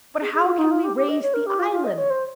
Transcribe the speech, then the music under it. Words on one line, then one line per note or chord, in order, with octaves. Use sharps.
"But how can we raise the island?"
G#4
G#4
F4
D#4
F4
G4
G4
D#5
C#5
A#4
G4
F4
F4
D#5
C#5
C5